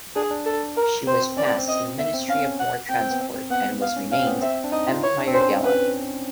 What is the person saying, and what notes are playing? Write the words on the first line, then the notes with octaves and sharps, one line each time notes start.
She was passed to the Ministry of War Transport and was renamed "Empire Gallop".
D4 G#4
D4
A4
A#4
C4 C5
C4
C#4 D5
C4
C4
D#5
B3 E5
C4
C#4 F5
C#4
F#5
C4 G5
C4
B3
C4
C4
B3 F#5
B3 F5
C#4
C#4 F5
C4
B3
C4 E5
D4
D#4 D#5
F4
E4 C#5
D4
C4
C#4 C5
B4